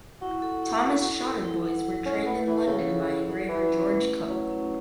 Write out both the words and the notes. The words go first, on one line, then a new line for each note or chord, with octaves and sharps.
Thomas Shotter Boys were trained in London by engraver George Cooke.
E4 F#4
A4
E4
F#5
E4
A4
E4
F#5
E4
C#4 A4
B3 E4
E3 F#5
C#3 E4
A4
E4
F#5
E3 B4
C#4
A3
E4
F#3 B4
C#4